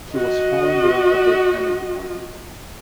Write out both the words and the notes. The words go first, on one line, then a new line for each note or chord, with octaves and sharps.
He was founder of their tennis department.
F#4 D#5